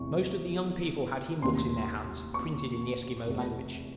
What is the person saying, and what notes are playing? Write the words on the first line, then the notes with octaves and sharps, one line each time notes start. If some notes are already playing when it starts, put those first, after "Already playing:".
Most of the young people had hymn-books in their hands, printed in the Esquimaux language.
Already playing: F1 E2 C3 E3 C#6
F1 D#2 D#3 C6
C#6
F1 E2 C3